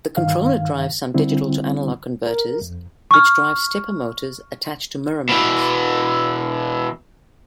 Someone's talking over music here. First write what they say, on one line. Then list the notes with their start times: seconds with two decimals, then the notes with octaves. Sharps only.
The controller drives some digital-to-analog converters which drive stepper motors attached to mirror mounts.
0.17 G2 D#3 F5
1.14 D3 G3 C4 E4
2.27 A#4
2.62 F2
3.11 C#6 F6
5.29 B2 E3